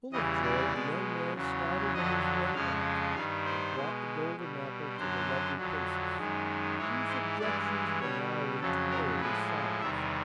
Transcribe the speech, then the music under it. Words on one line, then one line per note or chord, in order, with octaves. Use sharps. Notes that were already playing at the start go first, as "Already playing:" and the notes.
Full of joy the young man started on his way back and brought the golden apple to the lovely Princess, whose objections were now entirely silenced.
E2 C#3 E3 G3 D#5
D5
B2 G#3
E2 C#3 F#3
F2 D3 F#3 D#5
F2 C#3 F3 G#3 F5
G2 D#3 G3 F5
C5
B2 G#3
B2 G3
F#2 D3 F#3 C5
F2 D3 F#3
F#2 D#3 G#3
G#2 E3 G#3 C#5
C5
G2 E3 G#3 D5
B2 G3 C#5
F2 C#3 F#3 A4
A#4
A2 F3 G#3 B4
E2 C3 D#3 G3 E5